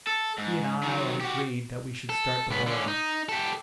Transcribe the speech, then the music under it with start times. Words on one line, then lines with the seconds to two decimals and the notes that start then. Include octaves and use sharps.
He and I had agreed that we should start the bowling.
0.07 A4
0.38 G#2
0.83 D#3 F#3
1.20 F#4 G4
2.09 A4
2.50 C#2 B3
2.67 D3 C#4
2.88 D#4
3.29 G4 A4